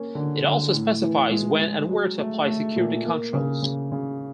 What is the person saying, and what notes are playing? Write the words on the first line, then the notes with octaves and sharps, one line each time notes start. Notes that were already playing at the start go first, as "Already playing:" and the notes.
It also specifies when and where to apply security controls.
Already playing: A#3 C#4
D3
D3
A2
E3
G#3
G#3
F#3
A3
A3
A#2
A#3
C#3
C#3
C#3